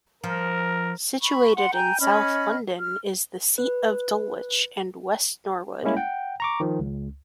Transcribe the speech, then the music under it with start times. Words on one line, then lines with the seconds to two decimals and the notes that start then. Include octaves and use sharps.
Situated in south London is the seat of Dulwich and West Norwood.
0.24 F3 A#4
1.21 B5 C#6
1.55 F#5 C6
1.73 G5 G#5 A#5 G6
2.00 C#4 D#5 B5 F6
2.79 F6
3.58 B4
5.83 G3 G#3 A#3 C#4 E4
5.97 F#5 G5
6.40 A#5 C#6 D6
6.60 D#3 F3
6.79 C#2